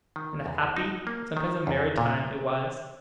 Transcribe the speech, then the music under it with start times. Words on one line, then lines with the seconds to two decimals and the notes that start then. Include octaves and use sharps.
And a happy, sometimes a merry time it was.
0.16 D#3
0.46 E2
0.77 D#4
1.07 A#3
1.37 D#3
1.67 E2
1.98 A#2